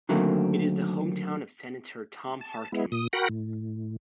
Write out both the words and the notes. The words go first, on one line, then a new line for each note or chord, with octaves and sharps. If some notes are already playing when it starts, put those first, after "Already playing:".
It is the hometown of Senator Tom Harkin.
D3 D#3 F#3 A3 A#3 C4
A5
G#3 B3 E4
A#2 D#6
F#4 A#4 F#5 G5 B5 A#6
A2